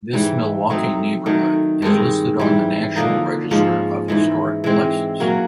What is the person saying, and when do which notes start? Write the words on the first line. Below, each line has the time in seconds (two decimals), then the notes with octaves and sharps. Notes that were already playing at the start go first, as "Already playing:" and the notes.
This Milwaukee neighborhood is listed on the National Register of Historic Places.
0.13 G#2 E3 G3
0.70 F#3 A3 C4 D#4
1.26 D#3 F#3 A3
1.82 G2 D#3 G#3 C4
2.39 G#2 E3 G3
2.96 D3 F3 A#3 D#4
3.51 G#2 F3 G#3 C#4
4.08 G#2 E3 G#3
4.64 E3 G#3 C4
5.20 F#3 A#3 C#4 F#4